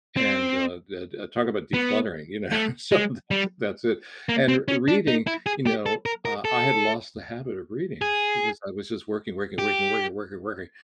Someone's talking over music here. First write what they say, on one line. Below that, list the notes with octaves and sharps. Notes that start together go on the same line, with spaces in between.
And, uh da da talk about decluttering, you know, sometimes it that's it. And r reading, you know, uh, I had lost the habit of reading because I was just working, working, working, working, working, working,
C4
B3
A3
G#3
G3
A#3
C4
C#4
D4
D#4
E4
G#4
G4
A4
A#4
A#4
A4
G#4
G4